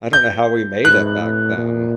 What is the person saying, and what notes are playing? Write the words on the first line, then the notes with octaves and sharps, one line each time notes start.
I don't know how we made it back then.
G6
G#2 F#6
A2
A#2